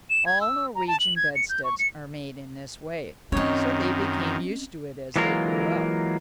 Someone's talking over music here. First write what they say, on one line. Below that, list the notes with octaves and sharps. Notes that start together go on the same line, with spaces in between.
All Norwegian bedsteads are made in this way, so they became used to it as they grew up.
E7
G#6
E6
A#5
A5
F#7
G#6
C#7
G6
C#6
C#7
F#2 D#3 C4 C#4 C#5 D#5
E3 F#3 G#3 A#3 F4 A#4